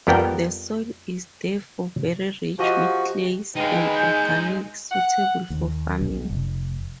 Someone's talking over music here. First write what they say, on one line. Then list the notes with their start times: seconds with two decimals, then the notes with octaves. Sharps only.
The soil is, therefore, very rich with clays and organics, suitable for farming.
0.07 F2 G3 B3 A#4 G5
2.59 F3 F#4 G4 D#5 F#5
3.56 G#3 D#4 B4 F5 G5
3.95 G#5 G6
4.91 F#5
5.50 D#2
6.01 B1
6.30 F1